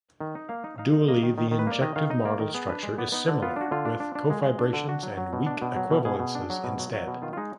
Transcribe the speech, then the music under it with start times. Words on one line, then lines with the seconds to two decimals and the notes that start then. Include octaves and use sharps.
Dually, the injective model structure is similar with cofibrations and weak equivalences instead.
0.20 D#3
0.35 D#4
0.49 A#3 F5
0.64 D#4
0.78 D#4 F5
0.93 D#4
1.08 A#3 D#5
1.23 D#3
1.38 D#3
1.51 D#3
1.59 B4
1.67 A#3 D5
1.82 D#3 D#5
1.96 D#3 F5
2.10 D#4 D#5
2.25 A#3 D5
2.39 D#3 A#4
2.54 B3 G#4
2.68 D4 B4
2.83 G#3 D5
2.98 B3 D5
3.12 B3 D#4
3.28 D3
3.42 B3 F4
3.56 D4 F#4
3.71 D3 F4
3.85 D4
4.00 D4
4.15 D4
4.30 G#3
4.44 G#3
4.59 D4
4.73 D3
4.89 D4 F#4
5.03 F#3
5.18 F#3
5.33 B2
5.46 D4
5.62 B2
5.76 F#3
5.90 B2
6.05 B2 G#4
6.19 B2
6.35 D4
6.50 F#3
6.64 B2
6.79 F#3
6.93 F#3
7.07 B2
7.22 D#3 F4
7.33 F4
7.37 G#3 D#4